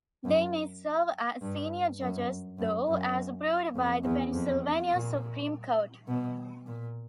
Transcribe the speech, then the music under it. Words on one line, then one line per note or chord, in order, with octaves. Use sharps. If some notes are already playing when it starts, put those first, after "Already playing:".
They may serve as Senior Judges though, as approved by the Pennsylvania Supreme Court.
F#2
G2
F#2
F#2
F#2
F2
E2
F2
A#2
B2
A#2